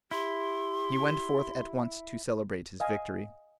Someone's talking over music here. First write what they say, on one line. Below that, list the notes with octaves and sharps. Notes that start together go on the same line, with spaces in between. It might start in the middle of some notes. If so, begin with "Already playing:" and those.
He went forth at once to celebrate his victory.
E4 G4 C6
D#5 F5 G#5